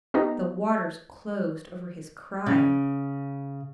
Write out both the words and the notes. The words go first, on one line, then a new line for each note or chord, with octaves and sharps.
The waters closed over his cry.
B3 D#4 G4 A#5
C#3